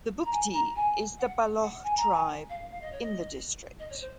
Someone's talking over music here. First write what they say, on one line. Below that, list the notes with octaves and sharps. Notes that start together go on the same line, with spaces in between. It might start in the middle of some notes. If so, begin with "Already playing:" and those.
The Bugti is the Baloch tribe in the district.
A#5
G#5
A#5
G#5
F#5
F#5
G#5
A#5
G#5
F5
F5
D#5
C#5
D#5
D#5
C#5
C5